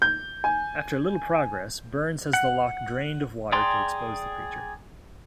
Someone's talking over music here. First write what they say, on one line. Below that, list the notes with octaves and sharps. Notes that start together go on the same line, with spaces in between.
After little progress, Burns has the loch drained of water to expose the creature.
G6
G#5
F#5
G#4 D5 G5 A#5 C6